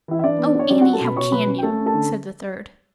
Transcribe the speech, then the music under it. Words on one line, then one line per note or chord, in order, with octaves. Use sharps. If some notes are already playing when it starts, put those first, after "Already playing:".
"Oh, Anny, how can you!" said the third.
E3 E4 E5
E5
E3 D4 D5
B3
D4 C#5
F#3 D4 D5
C#4 F#4 F#5
A4 A5
B2 B4 B5
B2 C#5 C#6
F#3 B4 B5
C#4
G5
A3 A4 A5
C#4
A4 A5
D3